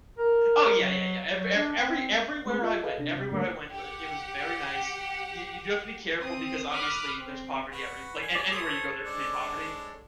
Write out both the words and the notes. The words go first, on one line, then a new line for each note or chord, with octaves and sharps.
oh yeah, yeah, yeah, ev ev every everywhere I went everywhere I went, w it was very nice. You you do have to be careful, because obviously, there's poverty everywh like, and anywhere you go, there can be poverty,
A#4
F#3
F#3
D4
C4
G#3 A3 C4 G#4
F4 D#5
F#4 G#4 A4 B4 D#5 F5
C3 D4 A#6
C3
G#2 D3 G3 A3 A#3
G4 F#5
C4 D#6
B5 D6 D#6 F6 F#6
C4
F#4 B4
G#5
D5
A4 C5 C#5 D#6
G#3 D4 D5